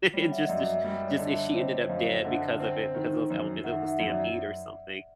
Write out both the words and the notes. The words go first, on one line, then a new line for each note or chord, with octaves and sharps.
and just just just and she ended up dead because of it, because of those elephants. It was a stampede or something.
G3 C#5
E5 F#5
D#5
F#2 D5 E5
D5 E5
G3 D5 E5
C#5 D#5
D3
D5 E5
C4 C#5 D#5
F#2 D#5 F5
D3 E5 F#5
C4
D#3
F#2
D#3 E5 F#5
E5 F#5
F#2
D5 E5